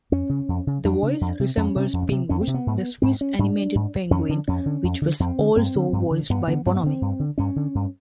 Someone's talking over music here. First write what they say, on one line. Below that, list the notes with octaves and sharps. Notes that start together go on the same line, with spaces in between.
The voice resembles Pingu's, the Swiss animated penguin, which was also voiced by Bonomi.
F2 C#4
C#3
F2
C#3
F2 D4
C#3
F2
C3
F2 C#4
C3
F2
C3
F2 C#4
C4
C3
B3
G#2
G#2 C4
C#4
G#2 D4
G#2
F2 C#4
D3
F2 C#4
D3
F2
D3
F2 C4
D3
G2 C4
D3
G2
D3
G2 B3
D3 B3
G2 C4
B3
D3 C4
G2
D3
G2 C#4
D3
G2